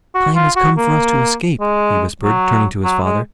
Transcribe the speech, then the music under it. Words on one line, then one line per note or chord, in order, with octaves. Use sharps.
"The time has come for us to escape," he whispered, turning to his father.
F#4
F4
F#4
A#3
G#3
F#3
F#3
G#3